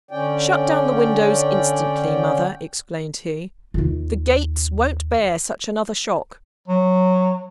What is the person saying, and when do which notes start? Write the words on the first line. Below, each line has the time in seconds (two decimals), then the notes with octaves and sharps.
'Shut down the windows instantly, mother,' exclaimed he: 'the gates won't bear such another shock.
0.11 D3 C#4 D5 G5
3.74 D#2 F4
6.68 F#3